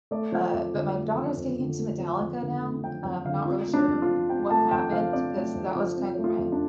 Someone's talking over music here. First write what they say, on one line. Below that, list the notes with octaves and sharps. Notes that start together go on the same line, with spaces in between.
uh but my daughter's getting into Metallica now. I'm not real sure what happened 'cause that was kind of my
A3 D5
F3
F2
D3
A3
F3
F2
D3
A3
F3
F2
D3
A3
F3 G5
F2
D3 F5
C4 F4
A3
D4
F2
F4
F3
C4 G5
A3 A5
F2 G5
F3 F5
C4 D5
A3
F2
F3
C4
A3
F4
F2
D4